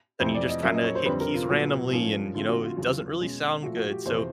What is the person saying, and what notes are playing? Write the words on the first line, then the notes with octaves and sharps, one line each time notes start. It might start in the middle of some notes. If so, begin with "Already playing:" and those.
then you just kinda hit keys randomly and, you know, it doesn't really sound good. So,
F2 C3 E3 A3 C5
D5
D#5
A#2 F#3 A#3 C#4 E5
D#5
C#5
C5
F2 D3 G3 C4 B4
A#4
F4
A#2 F#3 B3 F#4
G#2 F3 A#3 C#4
D3 F3 A3 C4 F4
F#4
F4
E2 C#3 F#3 F4
B2 G#3 C#4
A#2 F3 A3 F#4
F#4
G4
E2 C3 F3 C5